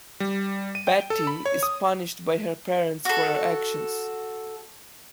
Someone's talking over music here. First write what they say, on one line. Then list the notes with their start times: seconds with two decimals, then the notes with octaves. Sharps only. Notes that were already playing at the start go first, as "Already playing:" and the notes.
Patti is punished by her parents for her actions.
0.20 G3
0.75 D#7
0.87 G5
1.10 A4
1.27 B5
1.46 C#5
1.63 D#6
3.05 F#4 A4